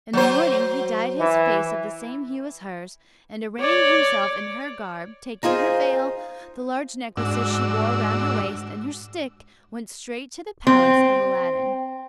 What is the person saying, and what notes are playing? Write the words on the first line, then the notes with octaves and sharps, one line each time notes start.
In the morning he dyed his face of the same hue as hers, and arraying himself in her garb, taking her veil, the large necklace she wore round her waist, and her stick, went straight to the palace of Aladdin.
F#3 C5
E3
C#5 D5
D#4 F4 G#4 C5
G#2 D4 F#4 E6
C4